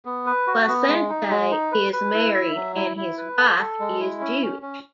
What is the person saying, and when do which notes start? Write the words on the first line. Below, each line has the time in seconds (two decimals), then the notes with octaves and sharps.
Placente is married and his wife is Jewish.
0.05 B3
0.26 B4
0.47 F#4
0.68 B3
0.89 G#3
1.09 D#4
1.30 G#3
1.51 D#4
1.72 B4
1.93 B4
2.14 E4
2.34 E5
2.55 F#3
2.76 E4
2.97 E4
3.18 B4
3.37 A4
3.58 A4
3.80 G#3
4.00 E4
4.21 C#4
4.42 C#4
4.62 C#4